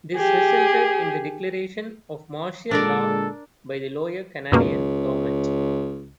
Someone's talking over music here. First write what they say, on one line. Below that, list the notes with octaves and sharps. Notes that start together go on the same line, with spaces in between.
This resulted in the declaration of martial law by the Lower Canadian government.
G4 G#4
A#2 D3 G#3 D4 A4 A#4 D5
C#2 F#2 B2 A#3